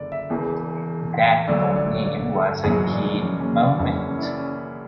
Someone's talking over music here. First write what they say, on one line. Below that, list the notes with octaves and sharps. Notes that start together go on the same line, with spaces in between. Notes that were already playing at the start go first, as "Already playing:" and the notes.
That for me was a key moment.
Already playing: F#1 D3 D5
E5
E1 E2 C#3 E3
D2 D3 F#3 D5
C#5
D5
C#5
D5
A4
F#1 E2 B2 F#3 G#4
F#4
D4
D4
C#4
C#4
D4
F#1 F#2 E3 C#4
D4
C#4
E4
D4
C#4